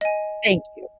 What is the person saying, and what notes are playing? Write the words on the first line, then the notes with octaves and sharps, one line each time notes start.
Thank you.
D#5 G#5